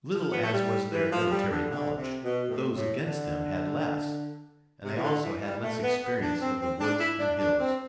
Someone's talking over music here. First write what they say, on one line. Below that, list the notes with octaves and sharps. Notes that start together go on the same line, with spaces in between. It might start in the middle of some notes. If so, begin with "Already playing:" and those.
Little as was their military knowledge, those against them had less, and they also had less experience of the woods and hills.
F3
B3
A3
G3
E3
F3
G3
D3
D3
C3
B2
A2
A2
D3
C3
E3
D3
E3
G3
A3
B3
B3
D4
C4
C4
D4
E4
D4
D4
C4